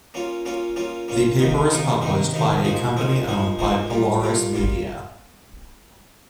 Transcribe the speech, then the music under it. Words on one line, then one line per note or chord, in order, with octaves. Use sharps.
The paper is published by a company owned by Polaris Media.
A#3 C#4 F4
A#3 C#4 F4
A#3 C#4 F4
A#3 C#4 F4
C3 D#3 A#3 D#4 A#4
C3 D#3 A#3 D#4 A#4
C3 D#3 A#3 D#4 A#4
C3 D#3 A#3 D#4 A#4
F3 A#3 D#4 G#4 C5
F3 A#3 D#4 G#4 C5
F3 A#3 D#4 G#4 C5
F3 A#3 D#4 G#4 C5
G3 A#3 F4
G3 A#3 F4
G3 A#3 F4